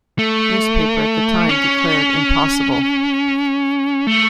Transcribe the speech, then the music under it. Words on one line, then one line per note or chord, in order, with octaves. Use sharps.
Newspaper at the time declared Impossible!
A3
C#4
A3